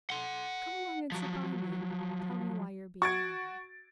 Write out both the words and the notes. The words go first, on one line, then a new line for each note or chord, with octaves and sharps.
"Come along and sit by me and tell me why you're being naughty."
F#5 C6
F3 F#3
F#4 C#6 G#6 A6 D7